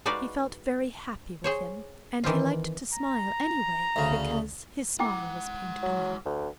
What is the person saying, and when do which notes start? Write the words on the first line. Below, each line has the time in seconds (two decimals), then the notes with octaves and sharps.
He felt very happy within and he liked to smile, anyway, because his smile was painted on.
0.06 G#3 D#4 F#4 B4 D5 F5
1.44 G#4 C5 C#5
2.24 D#3 E3 C4 F4
2.94 A#5
3.96 D2 C#3
5.00 G#3 E4 F#5 G5 D6
5.83 F#3
6.25 D2